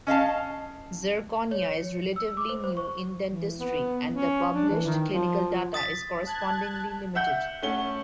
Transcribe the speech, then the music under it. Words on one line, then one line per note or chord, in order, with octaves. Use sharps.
Zirconia is relatively new in dentistry and the published clinical data is correspondingly limited.
C#4 D#5 F5 A5
C#5
C#7
E6
D6
C5
C5
C#6
E3
B3
C#4
D4
E3
D#3
F3
D#6 A6 B6
A5 F#6 G#6
E5 F#5 G6
A3 C#4 F#5 G7